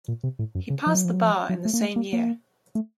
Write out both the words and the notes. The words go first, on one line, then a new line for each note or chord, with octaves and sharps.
He passed the Bar in the same year.
A#2
C3
A2
F#2
C#3
F3
F#3
F3
F#3
F3
F#3
A3
A#3
A3
A#3
A#3
A3